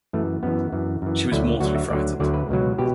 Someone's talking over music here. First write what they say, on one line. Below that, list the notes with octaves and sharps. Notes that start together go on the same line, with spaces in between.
She was mortally frightened.
F#2 E3 A3
F#2 E3 B3
F#2 E3
F#2 E3
D2 D3 F#3 E4
D2 D3 F#3 F#4
E5
D2 D3 F#3 D5
D2 D3 F#3 D5
B4
C#2 B2 F#3
B2 G4